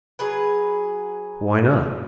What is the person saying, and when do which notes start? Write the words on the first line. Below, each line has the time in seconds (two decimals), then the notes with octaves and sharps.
"Why not?"
0.19 F#3 G#4 B4